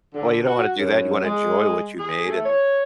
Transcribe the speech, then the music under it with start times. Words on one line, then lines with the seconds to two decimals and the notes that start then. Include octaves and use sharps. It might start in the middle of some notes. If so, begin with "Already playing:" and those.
Well, you don't wanna do that, you wanna enjoy what you made, and,
0.15 D3
0.46 F#4
0.78 F#2
1.23 G#3
1.99 G#4
2.27 A3
2.45 C#5